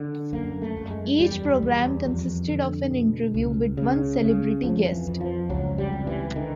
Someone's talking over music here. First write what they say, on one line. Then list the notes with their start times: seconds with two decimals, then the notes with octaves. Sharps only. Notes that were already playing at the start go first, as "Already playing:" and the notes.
Each programme consisted of an interview with one celebrity guest.
Already playing: D3
0.33 F#2 A#3
0.62 A3
0.77 F#2
0.91 G#3
1.19 E2 G3
1.62 E2
2.06 F2
2.48 D3
2.91 B2
3.34 C#2
3.77 C#3
4.21 C#3
4.64 F2 F3
4.92 E3
5.07 F2
5.21 F3
5.49 C#2 F#3
5.78 G3
5.93 C3
6.07 E3
6.36 D3 D#3